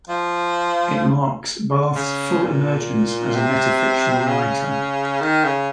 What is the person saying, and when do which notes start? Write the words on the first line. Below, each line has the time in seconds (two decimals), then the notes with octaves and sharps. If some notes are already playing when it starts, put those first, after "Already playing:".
It marks Barth's full emergence as a metafictional writer.
0.09 F3
1.96 C#3
2.42 A#2
3.35 C3
4.27 C#3
5.21 D#3
5.44 C#3